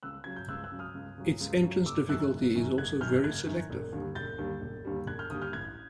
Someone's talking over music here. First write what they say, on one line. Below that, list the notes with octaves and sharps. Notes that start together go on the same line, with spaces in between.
Its entrance difficulty is also very selective.
C#2 E6 F#6
C#3 F#3 G#6
G6
C#2 E6 F#6
E6 F#6
C#3 F#3
D#6 F6
C#2
C#3 F#3
C#2
C#3 F#3
F#1 D6 E6
F#2 D#3 E6 F#6
F#1
F#2 D#3
F#1 F#6 G#6
F#2 D#3 F6 G6
F#1 F#6 G#6
F#2 D#3
E1
D#2 D3 G3
E1 G6 A6
D#2 D3 G3
E1
D#2 D3 G3
E1 F#6 G#6
F6 G6
D#2 D3 G3 D#6 F6
F6 G6
A1 F#6 G#6